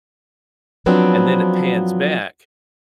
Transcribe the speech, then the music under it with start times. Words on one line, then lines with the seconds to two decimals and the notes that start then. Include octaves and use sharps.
and then it pans back,
0.86 F3 F#3 B3 C4 D4